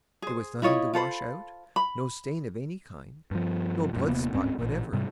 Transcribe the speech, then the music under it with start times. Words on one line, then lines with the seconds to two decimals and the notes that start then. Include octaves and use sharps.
There was nothing to wash out--no stain of any kind--no blood-spot whatever.
0.22 G#4 C5
0.62 E4 F4 C#5 D#5
0.94 F4 A4 C5 B5
1.76 B5
3.31 G2 F3
3.93 F#2 A#2
4.08 D#1 C3 A#3 B3
4.33 D1 G#2 C4 C#4
4.58 A1 A#2
4.93 G#2 C3 G3